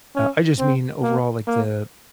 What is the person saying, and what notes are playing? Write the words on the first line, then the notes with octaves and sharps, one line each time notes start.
uh, I just mean overall like the
C#4
C4
A#3
A#3